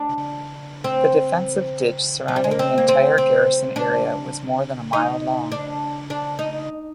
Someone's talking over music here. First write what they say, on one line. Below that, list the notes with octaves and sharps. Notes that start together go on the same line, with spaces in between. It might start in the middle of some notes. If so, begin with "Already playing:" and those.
The defensive ditch surrounding the entire garrison area was more than a mile long.
Already playing: D4
C4
F3
G3
G#3
A#3
C4
A#3
C4
C4
D4
D#4
D4
D4
D#4